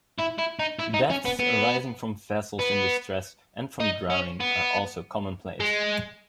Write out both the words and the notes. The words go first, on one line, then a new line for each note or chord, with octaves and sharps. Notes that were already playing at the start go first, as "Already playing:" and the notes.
Deaths arising from vessels in distress and from drowning are also commonplace.
E4
E4
D#4
E4
D#4
C#4
B3
B3
B3
D#4
C#4
B3
G#3